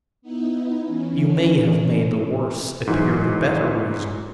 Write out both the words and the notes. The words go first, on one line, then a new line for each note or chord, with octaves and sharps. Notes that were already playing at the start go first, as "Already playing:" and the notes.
'You may have made the worse appear the better reason.'
B3 D#4 E4
E3 C#4
G#2 E3 F#3